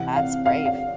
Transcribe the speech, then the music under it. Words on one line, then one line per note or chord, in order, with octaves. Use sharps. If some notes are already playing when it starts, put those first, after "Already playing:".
That's brave.
Already playing: C2 C3 E3 F#5
F5
F5
F5